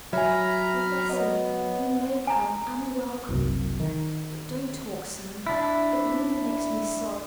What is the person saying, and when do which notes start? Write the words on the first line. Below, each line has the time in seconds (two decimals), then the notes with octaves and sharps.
'Oh Bessy! you may come and welcome; but don't talk so--it really makes me sorry.
0.13 F#3 E5 G#5 A#5 B5 F6
1.09 B3 C#5 D#5
2.27 G#5 A#5
3.29 F#1 C2 F#2
3.80 D#3
5.47 D4 E4